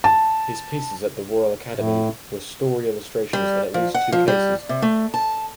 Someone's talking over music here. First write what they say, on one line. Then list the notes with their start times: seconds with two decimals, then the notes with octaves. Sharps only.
His pieces at the Royal Academy were story illustrations in at least two cases.
0.04 A5
1.75 A2
3.33 G3
3.74 F3
3.94 F#5
4.12 F3
4.28 G3
4.69 C3
4.82 A3
5.14 A5